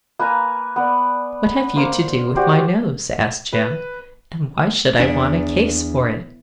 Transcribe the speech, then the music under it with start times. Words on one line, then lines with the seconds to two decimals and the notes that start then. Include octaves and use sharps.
'What have you to do with my nose?' asked Jem. 'And why should I want a case for it?'
0.19 A#3 B4 G#5 A#5
0.76 B3 D5
1.76 A#3 C5
2.35 F#4 G4 C5 D5
3.53 B4
5.00 E2 D4